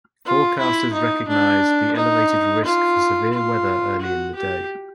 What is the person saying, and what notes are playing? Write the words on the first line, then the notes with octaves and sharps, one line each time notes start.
Forecasters recognized the elevated risk for severe weather early in the day.
F4
E4
D#4
D4
D#4
F4
F4
F#4
G4